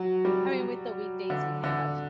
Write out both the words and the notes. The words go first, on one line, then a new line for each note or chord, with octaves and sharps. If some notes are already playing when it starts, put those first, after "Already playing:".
I mean, with the weekdays we have
Already playing: F#3
G3
D3
D3